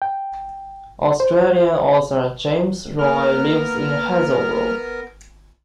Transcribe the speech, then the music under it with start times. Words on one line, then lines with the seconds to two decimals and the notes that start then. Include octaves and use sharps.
Australian author James Roy lives in Hazelbrook.
0.02 G5
1.20 C5
2.99 A#3 B3 A#4 F6